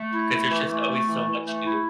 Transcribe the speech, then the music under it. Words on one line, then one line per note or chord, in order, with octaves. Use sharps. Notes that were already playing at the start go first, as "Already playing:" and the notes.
'cause there's just always so much to do.
Already playing: A3
E4
A3
E3
A3
A3
E3
E3
A3
E4